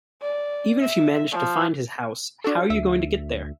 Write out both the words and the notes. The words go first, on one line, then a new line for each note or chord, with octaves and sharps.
Even if you managed to find his house, how are you going to get there?
D5
E5
F3
D4 F#4 A4
D2 E5